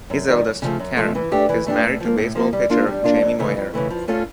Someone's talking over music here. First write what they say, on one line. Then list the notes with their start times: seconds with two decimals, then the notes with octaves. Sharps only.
His eldest, Karen, is married to baseball pitcher Jamie Moyer.
0.10 F#2
0.28 D#3 G3
0.45 F#2
0.62 C#3 F3 A3
0.79 F#2
0.97 C#3 F3 A3
1.15 E3
1.32 A3 D4 G4
1.49 E3
1.66 A3 D4 G4
1.83 A2
2.00 F3 A#3
2.18 A2
2.35 F3 A#3
2.53 G3
2.70 A#3 D4 F4
2.87 G3
3.04 A#3 D4 F4
3.21 F2
3.39 C#3 E3 A3
3.57 F2
3.73 C#3 E3 A3
3.90 F3
4.08 A3 C#4 F4 A4